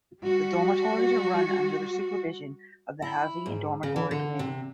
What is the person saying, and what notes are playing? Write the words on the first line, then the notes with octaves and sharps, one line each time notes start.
The dormitories are run under the supervision of the Housing and Dormitory Committee.
G3 F#4
E4
G#2
C#3
E3
D3
C3